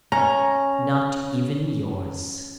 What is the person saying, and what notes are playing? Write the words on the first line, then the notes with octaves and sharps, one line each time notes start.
"Not even yours."
C#4 A#5